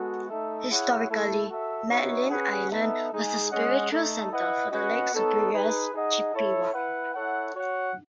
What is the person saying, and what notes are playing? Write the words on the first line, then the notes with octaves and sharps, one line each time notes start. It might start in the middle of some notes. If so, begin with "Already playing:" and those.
Historically, Madeline Island was a spiritual center for the Lake Superior Chippewa.
Already playing: G#3 B3 F#4 A4
A3 D#4 A4 E5
E4 G#4 C#5 F#5
A3 E4 A4
F#4 A4 E5
B3 D#4 F#4 C#5 E5
C#4 G#4 B4 F#5
B3 D#4 A4 E5
G#3 D#4 G#4
G#3 C#4 G#4 D#5 F#5
A3 D#4 A4
E4 B4 D#5 F#5
C#4 F#4 B4 D#5 F#5
B3 D#4 A4 C#5
D#4 G#4 B4
D#4 G#4 D#5 F#5
E4 A4 C#5 E5
E4 B4 F#5
E4 A4 C#5 F#5
F#4 C#5 F#5